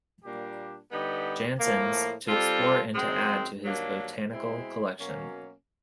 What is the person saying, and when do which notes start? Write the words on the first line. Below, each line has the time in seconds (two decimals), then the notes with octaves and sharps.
Janssens to explore and to add to his botanical collection.
0.24 A#2 G3 A#3 D4 G4
0.92 D3 G3 B3 D#4 G4
1.59 A2 F3 A#3
2.28 G3 C4 F4 A4
2.95 F#2 D#3 G#3 C4
3.63 G2 D#3 F#3 A#3 D4
4.31 B2 G#3 C4 E4
4.99 B2 F#3 A#3 C#4